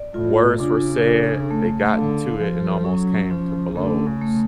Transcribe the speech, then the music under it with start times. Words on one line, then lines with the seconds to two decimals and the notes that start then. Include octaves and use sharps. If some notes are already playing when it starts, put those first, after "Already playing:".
Words were said, they got into it, and almost came to blows,
Already playing: D5
0.14 A2 F4
0.60 C#3 D4
1.05 A4
1.51 A3
1.95 D3 F5
2.40 F3 A4
2.85 F#3 C#4
3.30 F3 C#4
3.76 D3 A3
4.06 C#3
4.21 A3